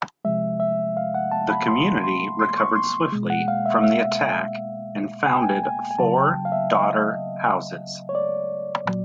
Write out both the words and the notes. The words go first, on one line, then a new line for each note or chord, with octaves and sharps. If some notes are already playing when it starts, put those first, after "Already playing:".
The community recovered swiftly from the attack and founded four daughter houses.
C3 F3 G#3 E5
E5
F5
F#5
A5
B5
C6
C6
C6
C#6
C6
B2 G#3
F#5
F5
E5
E5
G#5
G5
G#5
G#5
G#5
C#3 F#3 A5
G5
F5
E5
D#5
C#5
D5
A#2 F#3